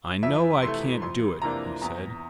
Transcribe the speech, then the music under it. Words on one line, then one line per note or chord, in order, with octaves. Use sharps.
"I know I can't do it," he said.
F2 E5
C3 E3 A3 C6
F2 C6
C3 E3 A#3 D4 A#5
E2 A#5